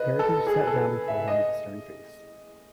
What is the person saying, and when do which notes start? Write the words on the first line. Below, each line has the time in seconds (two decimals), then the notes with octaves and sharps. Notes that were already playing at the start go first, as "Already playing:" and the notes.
Heritage sat down before him with a stern face.
Already playing: B4 D#5
0.19 A4
0.47 G#4
0.59 B4
0.67 A4
1.08 E5
1.28 D#5